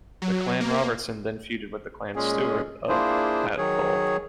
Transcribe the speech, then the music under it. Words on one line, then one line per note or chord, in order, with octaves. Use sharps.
The Clan Robertson then feuded with the Clan Stewart of Atholl.
F#3
A#3
A#2 G#3 C#4 G#4
A#3 D4 E4 F4 G#4 C5
D#3 F#3 G#4 C#5